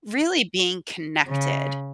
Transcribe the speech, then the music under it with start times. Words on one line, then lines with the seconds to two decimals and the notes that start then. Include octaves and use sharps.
really being connected,
1.28 C#3